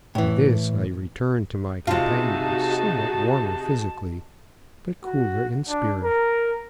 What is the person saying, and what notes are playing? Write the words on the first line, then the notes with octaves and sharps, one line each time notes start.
With this I returned to my companions, somewhat warmer physically, but cooler in spirit.
A2 E3
C3 D#4 F4 F#4 G#4 A5
F#4
D4
A#4